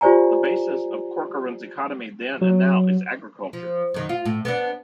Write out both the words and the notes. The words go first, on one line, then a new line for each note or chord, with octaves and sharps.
The basis of Corcoran's economy then and now is agriculture.
F4 G4 C5 D5 G#5 A#5
F#3
F3
F#2 D#3
F4
A2
B3 C4 D4